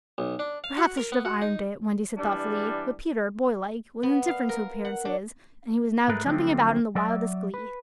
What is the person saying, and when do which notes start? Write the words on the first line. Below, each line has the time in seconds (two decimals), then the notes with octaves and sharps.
"Perhaps I should have ironed it," Wendy said thoughtfully, but Peter, boylike, was indifferent to appearances, and he was now jumping about in the wildest glee.
0.18 B1
0.39 D4
0.64 F5
0.78 F#4
0.97 A#4
1.12 B3
1.25 F#4
1.42 D#4
2.17 E3 G3 D4
4.03 B3
4.28 F5
4.49 A#4
4.85 F#5
5.05 D4
6.09 G#2 G#3 A3 A#4 B4
6.26 D3 F3 F#3 A3 C4
6.95 F#3 D5 E5
7.54 B4